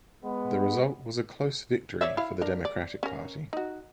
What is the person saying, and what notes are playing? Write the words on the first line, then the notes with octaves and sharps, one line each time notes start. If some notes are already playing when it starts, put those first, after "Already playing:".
The result was a close victory for the Democratic Party.
G#3 B3
C#5 D5 E5
E4 F5
D4 A#4
D5
C#4 A#4
D#4 F#4